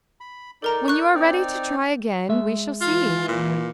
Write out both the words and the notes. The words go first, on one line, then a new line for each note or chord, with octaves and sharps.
"When you are ready to try again, we shall see."
B5
D#4 A4 A#4 D5 A#5
C#6 F#6
C4 D#4 D5
G#3 E5
E3 F4
A#2